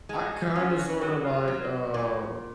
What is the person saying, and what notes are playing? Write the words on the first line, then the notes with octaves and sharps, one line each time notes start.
I kinda sorta like, uh
G#3
F#4
C#4 F4
F4
F#4
F#3 F#4
F4
F#3
A#2